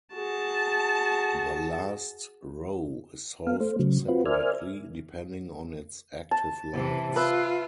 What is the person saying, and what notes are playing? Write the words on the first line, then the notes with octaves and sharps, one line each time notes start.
The last row is solved separately, depending on its active lights.
F#4 G#4 A5
B3 F5
A3 C5
C#3 F#3
C4 F4 F#4 B4
A#4 C5 D5 E5 G#5 F6
A5
C3 E3
F4 B4 E5